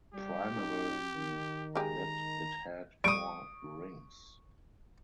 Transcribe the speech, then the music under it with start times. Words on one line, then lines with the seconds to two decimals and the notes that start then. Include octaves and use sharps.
Primarily that it had four rings.
0.14 G3 G4
0.56 A#2 C#4 D#4
1.16 D#3
1.75 G#3 G4 A#5
3.04 G3 C#6 D#6 D7